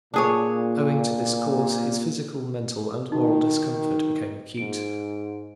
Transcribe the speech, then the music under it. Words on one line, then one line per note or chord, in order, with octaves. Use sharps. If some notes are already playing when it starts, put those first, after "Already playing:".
Owing to this cause his physical, mental, and moral discomfort became acute.
A#2 D4 G#4 C#5
D#3 D#4 F#4
G#2 D7